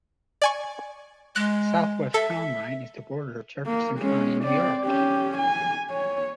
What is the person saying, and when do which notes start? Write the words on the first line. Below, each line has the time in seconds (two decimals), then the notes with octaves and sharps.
The southwest town line is the border of Jefferson County, New York.
0.42 D5 G#5 C#6
1.36 G#3 F#6
2.14 A4 E5
3.66 A#3
3.99 G#3 C#4
4.45 C4 D5
4.85 C#4 G4
5.38 G#5
5.91 C#5